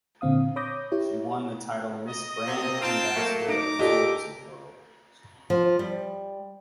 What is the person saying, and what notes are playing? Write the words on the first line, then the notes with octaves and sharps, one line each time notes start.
She won the title Miss Brand Ambassador of Tourism World.
A#2 D3 C4 F5 D#6
C#5 B5 D6 D#6 G6 A#6
E4 G4 C#5
D#5
C3 A#3 C4
C4 D#4 F4 F5 G5 A5
F#3 A3 A#3
D#4 A#5 D6
A#2 G4 A4 D#5
F3
G3